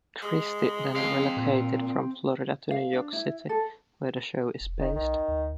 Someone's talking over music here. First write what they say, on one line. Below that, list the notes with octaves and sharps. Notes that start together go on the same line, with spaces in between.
Christy then relocated from Florida to New York City, where the show is based.
G#3
C4 F5
A#2
F5
D4
E4
A4
E1
D#3
B1 D#3
D2